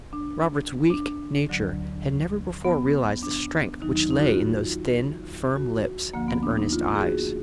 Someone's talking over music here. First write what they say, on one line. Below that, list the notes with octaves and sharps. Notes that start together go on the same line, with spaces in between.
Robert's weak nature had never before realised the strength which lay in those thin, firm lips and earnest eyes.
D4
D4
D2 D3 F#3
B3
D4
D#2 D#3 F#3 D#4
D#4
D#4
F#4
F4
F#4
D2 D3 F3 A#3
B3
D4
D#4
F4
G#4
F#4